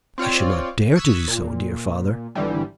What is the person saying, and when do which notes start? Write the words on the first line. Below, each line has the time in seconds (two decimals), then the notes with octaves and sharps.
"I should not dare to do so, dear father."
0.18 C4 F4 C#5 D5
0.96 C#6 D#6 E6 F#6 G#6 B6
1.28 A#2
2.35 G#1 D3 E3 G3